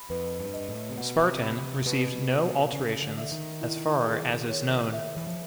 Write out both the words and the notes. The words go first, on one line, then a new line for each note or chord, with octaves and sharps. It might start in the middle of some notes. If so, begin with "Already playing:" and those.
"Spartan" received no alterations as far as is known.
Already playing: B5
F2 B4
G2
D#5
A2
C3
B2 F#5
C3
B5
C3
B2 B4
D#5
C#3 C#5
D3
E5
D#3
E4
G#4
C#5
E5
E3
F3